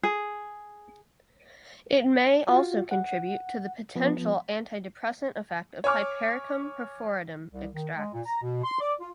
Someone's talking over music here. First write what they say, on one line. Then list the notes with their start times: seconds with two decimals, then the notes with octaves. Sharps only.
It may also contribute to the potential antidepressant effect of "Hypericum perforatum" extracts.
0.03 G#4
2.49 F4 F#4
2.91 F#5
3.96 F3 B3
5.84 C#5 G#5 D6 F6
7.52 C2
7.74 D#3
7.96 G#3
8.13 A#2
8.26 A#5
8.42 B2
8.64 C6
8.80 D5
9.01 F4